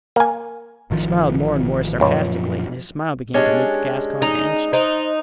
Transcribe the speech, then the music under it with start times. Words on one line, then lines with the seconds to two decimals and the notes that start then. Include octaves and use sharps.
He smiled more and more sarcastically and his smile began to make the Gascon anxious.
0.16 A#3 G#5
0.91 A1 D#3 F3
2.01 C#2 F#2 A#2 F3
3.34 G#3 C#4 D4 G4 D#5 G#5
4.22 D#4
4.73 D#4 C5 D#5